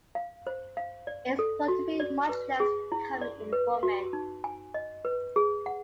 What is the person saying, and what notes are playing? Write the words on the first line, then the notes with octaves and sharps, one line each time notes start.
It is thought to be much less common in women.
F5
C5
F5
D5
A4
F#4
D5
B4
G#4
E4
D5
B4
F#4
D#4
G#5
D#5
B4
G#4
F#5